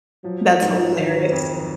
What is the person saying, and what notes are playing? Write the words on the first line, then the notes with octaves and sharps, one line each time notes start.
That's hilarious.
F3 F#3
G#2
D#3
F2